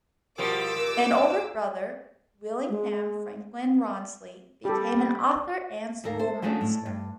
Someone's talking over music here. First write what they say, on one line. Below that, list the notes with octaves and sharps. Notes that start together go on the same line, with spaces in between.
An older brother, Willingham Franklin Rawnsley, became an author and schoolmaster.
B2 F3 G3 A#4 D6 E6
A#2
G#3
G3 G4 A4
D2 G#2 A4 A#4 F5
A4 C5
F3 F#3 G#3 A3 C#4 D4
A2
G2